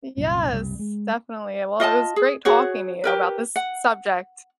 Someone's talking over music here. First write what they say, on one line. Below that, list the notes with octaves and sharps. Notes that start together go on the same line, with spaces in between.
Yes, definitely. Well, it was great talking to you about this subject.
C2 F#2 A#2
F#1 C2 A#2 G3
G#3
F4 D#5 G5 A5
G#4
F#4 G#4 C#5 F#5
G4 A#4 B4
F#5